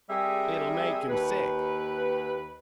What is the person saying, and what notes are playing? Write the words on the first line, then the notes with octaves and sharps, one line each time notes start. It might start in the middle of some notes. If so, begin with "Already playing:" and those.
"It'll make him sick."
G3 C4 G#4 A#4 E5
D#2 B4